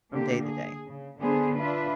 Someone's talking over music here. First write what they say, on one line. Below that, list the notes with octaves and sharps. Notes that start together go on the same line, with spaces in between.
from day to day.
D3 A#3 G4
G#4
C#3
D3 B3 D4 G#4 C5
D4 F4 B4 E5